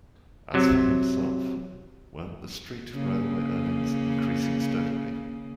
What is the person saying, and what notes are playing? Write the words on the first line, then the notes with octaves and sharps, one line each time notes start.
As for himself, weren't the street railway earnings increasing steadily.
C3 F#3
C#3 A#3